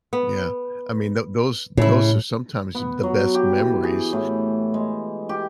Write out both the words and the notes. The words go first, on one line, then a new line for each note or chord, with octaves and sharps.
Yeah. I mean, tho those those are sometimes the best memories,
B3
A2 C#3 E4
B3
F#3
G4
E3
G#4
A2
G#3
G4